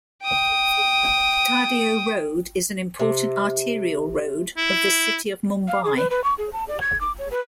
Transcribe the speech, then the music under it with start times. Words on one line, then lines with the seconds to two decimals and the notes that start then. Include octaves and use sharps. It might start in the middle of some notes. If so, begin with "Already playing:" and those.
Tardeo Road is an important arterial road of the city of Mumbai.
0.23 G5 D#6
2.99 C3
4.57 E4
5.68 F5
5.84 G#4
5.97 B4
6.10 B4
6.24 C#6
6.38 G#4
6.53 A5
6.68 D5
6.81 G#6
7.01 D6
7.19 C#5
7.31 B4